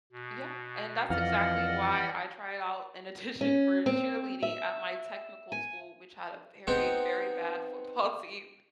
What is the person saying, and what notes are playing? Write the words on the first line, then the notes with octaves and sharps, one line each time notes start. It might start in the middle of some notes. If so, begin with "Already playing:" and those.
Yeah, and that's exactly why I tried it out in addition for cheerleading at my technical school, which had a very, very bad football team.
B2
F2 E3 D5 D#5 F5 F#5 F6 A#6
C#4
C4
E5
G#5
B3 C4 D#4 G#4 F#5 G5